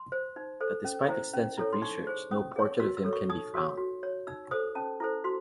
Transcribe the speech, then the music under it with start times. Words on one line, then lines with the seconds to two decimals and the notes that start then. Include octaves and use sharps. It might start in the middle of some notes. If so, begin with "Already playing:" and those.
But despite extensive research no portrait of him can be found.
Already playing: C6
0.12 C5
0.36 D#4
0.60 A4 C5
0.85 C#4
1.09 E4 C5
1.34 C#4
1.58 E4 A4 C#5
1.73 C6
1.82 D#4 C#6
2.07 G#4 C5
2.31 C#4 D#6
2.56 G#4 C#5
2.80 F#4 E6
2.97 E6
3.05 A4 C#5
3.13 C#6
3.29 D#4 D#6
3.54 F#4 C#5
3.77 F#4
4.03 C#5
4.27 D#4 E6
4.51 A4 C5 D#6
4.75 C#4 A5
5.00 E4 A4 C5
5.24 F#4 C6